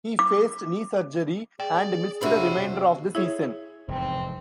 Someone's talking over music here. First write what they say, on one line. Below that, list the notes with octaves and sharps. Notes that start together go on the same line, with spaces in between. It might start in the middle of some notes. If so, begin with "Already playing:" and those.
He faced knee surgery and missed the remainder of the season.
D6
G#4 D5 G5
F2 C3 D4 F#4 C#5 E5 B5
E4 G#4 C#5 E5
F1 E2 G#2 C4